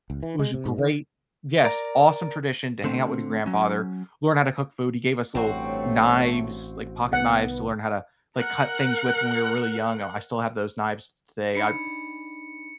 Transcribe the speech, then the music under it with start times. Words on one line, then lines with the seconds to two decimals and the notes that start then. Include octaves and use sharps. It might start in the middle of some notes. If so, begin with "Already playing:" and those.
It was a great Yes, awesome tradition to hang out with your grandfather, learn how to cook food. He gave us little knives, like pocketknives to learn how to, like, cut things with when we were really young. Oh, I still have those knives t today. I
0.10 C#2
0.23 E3
0.39 G#3
0.54 C3
0.65 G#2
0.78 D#3
1.64 A#4 D5 A#5
2.84 D3 A3 C4
3.46 F#3 C#4
5.35 A1 G2 A3 C4 F#4 C#5
7.13 C2 D#3 B3 F#5
8.35 A#4 F#5
11.55 D4 D#4 B5 C#7